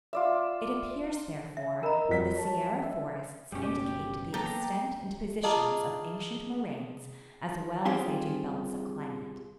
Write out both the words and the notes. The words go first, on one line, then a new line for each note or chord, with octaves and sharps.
It appears, therefore, that the Sierra forests indicate the extent and positions of ancient moraines as well as they do belts of climate.
F4 D5 E5
E5
A#4 D#5 A#5 B5
F2 F#4 B6
C#5 A5
E5
F#1 B2 G3 C#4 G4
F#3 A#3 B3 G4 A4 B4 A#5
F4 G#4 D5 D#5 A5 A#5
G3 C4 F4 G4 G#4